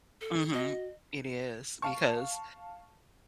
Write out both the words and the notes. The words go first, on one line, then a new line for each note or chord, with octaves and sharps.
Mhm. It is, because,
A4
F#4 D#5
F5 A5 C#6